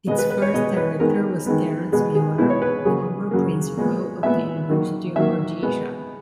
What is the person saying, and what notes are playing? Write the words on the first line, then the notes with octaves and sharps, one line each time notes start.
Its first Director was Terence Miller, former principal of the University of Rhodesia.
B2 G#3 B3 D#5
B4
B4
C#5
B2 G#3 B3 D#5
B4
D#3 G#3 B3 A#4
D#3 G#3 B3
B2 G#3 B3 G#4
G#4
B2 G#3 B3 E4
C#5
B4
C#3 F#3 A#3 G#4
C#3 F#3 A#3
A#2 G#3 B3
A#2 G#3 B3 E5
D#3 F#3 A#3
D#3 F#3 A#3 E5
B2 G#3 B3